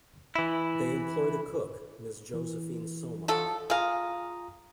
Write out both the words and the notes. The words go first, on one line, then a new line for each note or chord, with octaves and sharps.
They employed a cook, Ms. Josephine Somach.
E3 E4
E3
F3 F#3 A4
F4 G#4 F5 A#5 D#6